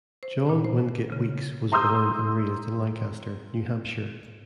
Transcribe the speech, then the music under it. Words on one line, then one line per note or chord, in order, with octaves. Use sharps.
John Wingate Weeks was born and raised in Lancaster, New Hampshire.
C5
A#2
C5
C#3
A#5 C6 D#6 E6 G6